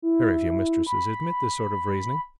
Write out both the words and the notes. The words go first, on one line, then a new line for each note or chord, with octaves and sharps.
Very few mistresses admit this sort of reasoning.
E4
B5